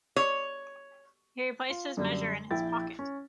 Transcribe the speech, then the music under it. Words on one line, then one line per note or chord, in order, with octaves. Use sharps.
He replaced his measure in his pocket.
C#5
F4
F#2 D3 G3
A#1 E4 G5 A6
C#4